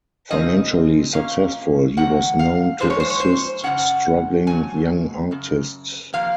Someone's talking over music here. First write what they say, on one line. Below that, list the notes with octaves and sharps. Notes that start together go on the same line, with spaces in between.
Financially successful, he was known to assist struggling young artists.
C#3 F3 C4 D#4 D#5
A#2 F3 A#3 C#4 F5
F2 D#3 A#3 F#5
F5
A#2 F3 G#3 D#4 C5
C#5
C5
C#5
C5
C#3 G#3 C#4 F#5
F2 C#3 F#3 G#5
F#2 C#3
C3 F3 A#3 F5